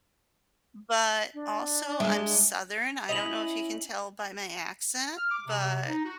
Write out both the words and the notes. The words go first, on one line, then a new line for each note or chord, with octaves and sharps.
but, also, I'm Southern, I don't know if you can tell by my accent, but
D4
G#3 E5
C#4 E4 D#5 F7 F#7
F6
D6
C3
C3
D#4
F#4